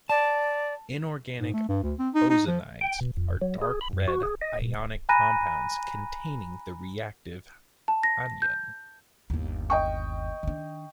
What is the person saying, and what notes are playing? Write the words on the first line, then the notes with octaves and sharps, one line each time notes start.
Inorganic ozonides are dark red ionic compounds containing the reactive anion.
D5 A5
G#2
A3
G2
D2
C4
D#4
D#4
F3
G5
B2
F2
F#3
G#4
B5
F#2
F#4
G#4
D#5
A#2
G#5 A#5 B5 F#6 A#6 D#7
A5
A#6
G6
G1 D#2
D#5 G5 C#6
D#3 D4